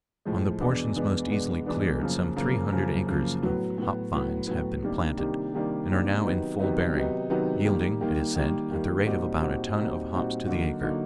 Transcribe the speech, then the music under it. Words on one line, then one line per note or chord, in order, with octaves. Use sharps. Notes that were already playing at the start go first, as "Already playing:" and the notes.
On the portions most easily cleared some three hundred acres of hop vines have been planted and are now in full bearing, yielding, it is said, at the rate of about a ton of hops to the acre.
A2 F3 G#3
E2 B2 G#3 B3 D4
E2 B2 G#3 B3 D4
E2 B2 G#3 B3 D4
E2 B2 G#3 B3 D4
F#2 C#3 F3 A#3
F#2 C#3 F3 A#3
F#2 C#3 F3 A#3
F#2 C#3 F3 A#3
A2 F#3 B3
A2 F#3 B3
A2 F#3 B3
A2 F#3 B3
C3 D#3 G3 A#3 D4
C3 D#3 G3 A#3 D4
C3 D#3 G3 A#3 D4
C3 D#3 G3 A#3 D4
C3 D#3 F#3 B3 D#4
C3 D#3 F#3 B3 D#4
C3 D#3 F#3 B3 D#4
C3 D#3 F#3 B3 D#4
D#3 G3 A#3
D#3 G3 A#3
D#3 G3 A#3
D#3 G3 A#3
A#2 G3 C4 D#4 F#4
A#2 G3 C4 D#4 F#4
A#2 G3 C4 D#4 F#4
A#2 G3 C4 D#4 F#4
D3 F#3 A#3 D#4 F#4
D3 F#3 A#3 D#4 F#4